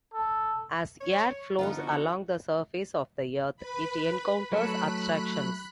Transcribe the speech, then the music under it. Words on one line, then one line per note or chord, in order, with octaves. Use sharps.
As air flows along the surface of the Earth, it encounters obstructions.
A4
C#5
D3 B3 D#4 F4
F3 F#4
B4 B5
F#3 A3 A4 B5 F#6